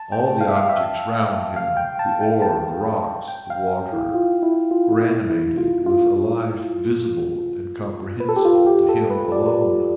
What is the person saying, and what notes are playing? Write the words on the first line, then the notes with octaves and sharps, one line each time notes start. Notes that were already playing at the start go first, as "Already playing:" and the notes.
All the objects round him--the ore, the rocks, the water--were animated with a life visible and comprehensible to him alone.
Already playing: A5
G5
F5
E5
F5
E5
F5
G5
A5
G5
A5
G5
F5
E4
F4
E4
F4
F4
E4
E4
F4
F4
B4
A4
G4
F4
G4
A4
B4
D5